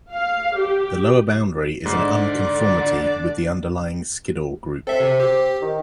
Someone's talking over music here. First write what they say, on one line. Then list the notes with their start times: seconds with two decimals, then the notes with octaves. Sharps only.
The lower boundary is an unconformity with the underlying Skiddaw Group.
0.10 F5
0.55 G4
1.86 G#2 D3 D4 D5
4.87 C4 A4 E5
5.00 C3
5.20 G4
5.62 D#3